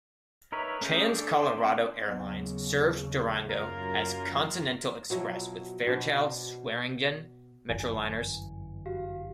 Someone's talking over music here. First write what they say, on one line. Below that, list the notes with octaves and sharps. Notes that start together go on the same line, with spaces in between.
Trans-Colorado Airlines served Durango as Continental Express with Fairchild Swearingen Metroliners.
D#4 A#4 B4 C#5 E5
A3 C#4 G#4 F5 G6
D4 A4 D6
C5 E5 G#5 C6 D6
C4 D4 E4 C5
D#2 C#3 F#3 B3
F#2 A#3 F4 A#4
B2 F3 F#3 E4
B2 D4 C5
G1 F#2 E3 G#5
F#4 G4 F5